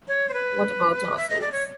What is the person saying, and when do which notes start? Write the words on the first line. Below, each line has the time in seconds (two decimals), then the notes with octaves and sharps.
What about our souls?
0.08 C#5
0.29 C5
0.33 B4
1.17 E5
1.30 D#5
1.41 D5
1.52 C#5